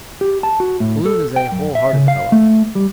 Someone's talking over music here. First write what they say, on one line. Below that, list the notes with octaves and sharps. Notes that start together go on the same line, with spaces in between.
Balloon is a whole-hearted fellow.
G4
A5
F#4
A2
A4
G5
F#2
E5
C#3
F5
A3
G3